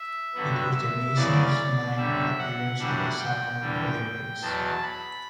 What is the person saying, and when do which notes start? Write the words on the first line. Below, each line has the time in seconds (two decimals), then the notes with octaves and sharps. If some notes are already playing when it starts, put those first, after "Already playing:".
It was the nations ninth appearance at the Summer Olympics.
Already playing: E5
0.34 G2 D3 F#3 B3
0.74 E5
1.15 F#2 C#3 E3 D5
1.97 F#2 D3 G3 E5
2.38 F#5
2.79 F#2 E3 G3 D4
3.19 G5
3.61 E2 D3 G3
4.41 E2 B2 F#3 A5
4.82 B5